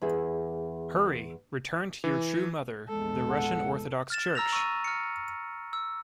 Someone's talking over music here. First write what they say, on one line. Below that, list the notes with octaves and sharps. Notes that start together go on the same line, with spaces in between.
Hurry, return to your true mother, the Russian Orthodox Church!
E2 E4 G#4
E3
A#1 E2 G#3 A4
F#5
F6 A6 E7
A#5 E6 A#6 F7
C#6 E6 D#7
F6 C#7
E6